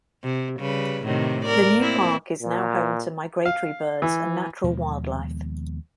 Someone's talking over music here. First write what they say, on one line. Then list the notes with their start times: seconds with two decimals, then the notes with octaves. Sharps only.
The new park is now home to migratory birds and natural wildlife.
0.23 C3
0.60 C#3 G3 B4
1.04 A2 C3 D#3
1.45 A#4 D5
1.78 A#3 C4 E4
2.41 A#2
3.45 F5
4.02 E3
4.64 D#2 B2 F3 G#3